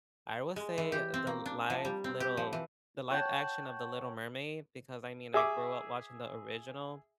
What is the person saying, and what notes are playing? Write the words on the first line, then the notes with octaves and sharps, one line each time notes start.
I would say the live, Little the live action of The Little Mermaid, because I mean, I grew up watching the original.
G#3
E3
G4
C4
A#3
D4
F3
G3
C4
G4
F3
E3
C#5 F#5 G5 A5
G#4 E5 D6